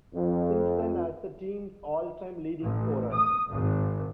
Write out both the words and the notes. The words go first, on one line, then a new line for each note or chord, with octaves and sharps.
Simpson as the team's all-time leading scorer.
F2
A1
D#6
G#1